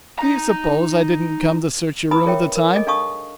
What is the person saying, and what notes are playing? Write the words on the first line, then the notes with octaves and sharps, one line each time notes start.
Do you suppose I didn't come to search your room at the time?
D#4 A#5
D#4 B4 G#5 A#5 B5 D#6
G#4 A#4 C#5 E5 G5
A#4
G#4 A4 D#5 G#5
D4 A4 F5 A5 C#6 D#6